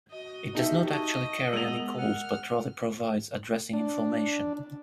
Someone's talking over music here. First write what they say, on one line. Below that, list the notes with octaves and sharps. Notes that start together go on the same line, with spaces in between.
It does not actually carry any calls, but rather provides addressing information.
F#4 D#5
D#4 G4 A4 E5
D#5 A5 C#6
G#3 B3 A#4 E6 F7 F#7
F#5 F6
D4